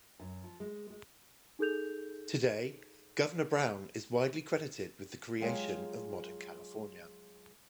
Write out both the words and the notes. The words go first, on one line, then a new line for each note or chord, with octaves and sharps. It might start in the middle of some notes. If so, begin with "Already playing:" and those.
Today, Governor Brown is widely credited with the creation of modern California.
F#2
F3
G#3
G#3
D#4 G#4 A4 G6 F7
F#3 G#3 F4 G4 G#4